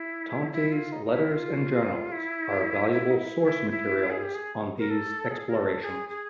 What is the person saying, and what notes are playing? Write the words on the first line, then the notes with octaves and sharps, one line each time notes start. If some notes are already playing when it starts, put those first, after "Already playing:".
Tonti's letters and journals are valuable source materials on these explorations.
Already playing: E4
E4
F4
D#4
D#4
E4
F4
E4
E4
D#4
E4
E4
E4
G#4
G4
G#4
A#4
A4
G#4
A#4
A4
G#4
G#4